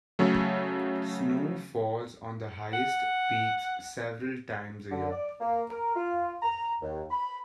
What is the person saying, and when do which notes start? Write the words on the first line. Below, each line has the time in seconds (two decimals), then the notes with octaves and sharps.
Snow falls on the highest peaks several times a year.
0.19 C#3 F#3 A3
2.74 F#5
4.92 D3
5.11 D5
5.40 A#3
5.70 A#4
5.96 F4
6.42 A#5
6.82 D#2
7.11 B5